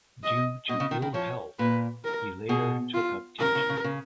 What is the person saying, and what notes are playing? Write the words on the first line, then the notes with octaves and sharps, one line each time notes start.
Due to ill health he later took up teaching.
D#5
B2 D#5
C#3
D#3
D#3
F3 C#5
A#2 B4
A#4
B2 G#4
F4
C#3 A#4
C#3
C#3
C#3